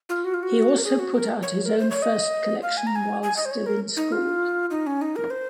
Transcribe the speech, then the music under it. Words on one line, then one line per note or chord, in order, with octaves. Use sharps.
He also put out his own first collection while still in school.
F4
F#4
F4
F#4
A#4
G#4
F#4
A#4
C#5
A#4
C5
C#5
D#5
F5
G#5
A#5
G#5
G#5
D#5
C5
C#5
A#4
D#4
F4
D#4
C#4
D#4
A#4
C5